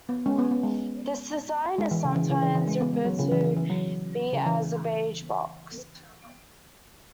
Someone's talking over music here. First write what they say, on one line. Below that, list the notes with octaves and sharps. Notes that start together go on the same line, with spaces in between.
This design is sometimes referred to be as a "beige box".
B3
G#3 C#4
B3
B3
G#3
G#3
E3
C#3
E3
C#3
E3
E3
G#3
B3
G#3
F#3
C#3
E3
E3
E3
F#3
C#3
E3